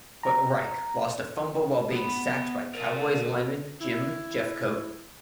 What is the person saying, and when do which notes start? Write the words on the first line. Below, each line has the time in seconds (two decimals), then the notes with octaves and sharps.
But Reich lost a fumble while being sacked by Cowboys lineman Jim Jeffcoat.
0.23 A#5
1.92 B3 B5
2.75 A#4 D5
3.81 E4